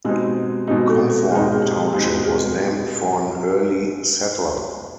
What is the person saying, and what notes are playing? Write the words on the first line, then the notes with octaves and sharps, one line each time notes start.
Comfort Township was named for an early settler.
B2 G#3 C4 D#4 G4
B2 G#3 C4 D#4 G4
A4
A4
B2 G#3 C4 D#4 G#4
G#4
G4
B2 G#3 C4 D#4 G4
G#4